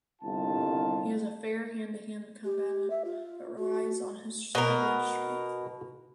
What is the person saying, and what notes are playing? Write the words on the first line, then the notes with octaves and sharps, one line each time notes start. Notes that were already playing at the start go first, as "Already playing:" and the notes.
He is a fair hand-to-hand combatant, but relies on his cyborg strength.
G1 C2 D#3 F4 A5
G4
E5
F4
F#4
B2 A#4